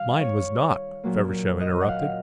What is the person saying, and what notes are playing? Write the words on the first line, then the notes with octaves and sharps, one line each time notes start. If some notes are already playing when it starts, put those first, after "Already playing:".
"Mine was not," Feversham interrupted.
Already playing: D#3 G3 F5
C#5
A#2 F#3 A#3
D#5
F#5
F5